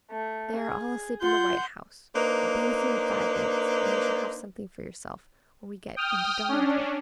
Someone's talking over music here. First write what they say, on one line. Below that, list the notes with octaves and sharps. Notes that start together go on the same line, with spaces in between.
They are all asleep in the "White House." I'll be with you in five minutes, and you shall have something for yourself when we get into Dollington.'
A3
G#4
F4 F#5 C6 G6
A#3 D4 D#4 B4 C5
G5 D#6 F6
C#4 D4